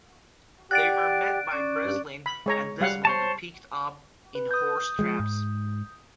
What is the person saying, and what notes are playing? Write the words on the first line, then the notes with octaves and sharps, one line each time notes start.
They were met by Breslin and Desmond and picked up in horse traps.
G4 D5 F#5 F#6 A6 D7
C#4 D5 D6
G2
B5
G#3 C#5 A#5
G3 F5 F#5
C5 C#5 A5
B4
D#6 G6
F3 F#3 G#3
G#2